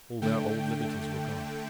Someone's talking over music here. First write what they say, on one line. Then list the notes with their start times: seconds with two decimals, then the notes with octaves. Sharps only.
All their old liberties were gone.
0.22 D3 A3 G5
0.63 G5